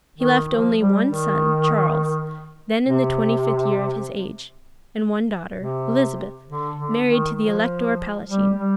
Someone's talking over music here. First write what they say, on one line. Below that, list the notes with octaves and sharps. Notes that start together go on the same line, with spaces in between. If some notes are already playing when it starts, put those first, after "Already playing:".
He left only one son, Charles, then in the twenty-fifth year of his age; and one daughter, Elizabeth, married to the elector palatine.
D#3
F3
G3
D#3
C3
C3
D3
D3
D#3
F3
G3
G3